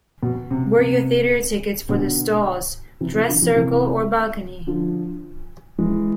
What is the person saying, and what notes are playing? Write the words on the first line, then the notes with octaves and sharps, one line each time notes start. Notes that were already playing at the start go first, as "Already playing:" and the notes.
Were your theatre tickets for the stalls, dress circle or balcony?
B2
C3
C3
B2 D3
C3 E3
C3 E3
D3 F3
C3 E3
C3 E3
D3 F3
E3 G#3